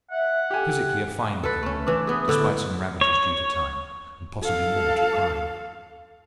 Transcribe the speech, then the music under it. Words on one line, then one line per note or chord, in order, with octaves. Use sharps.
Physically a fine-looking woman, despite some ravages due to time, and possibly more to crime.
E5 F#5
G4 A4 G#5
A4 B4
A3 C#4
E3 D4
B3 G#4
A2 D3 E4
C#5
A4 F5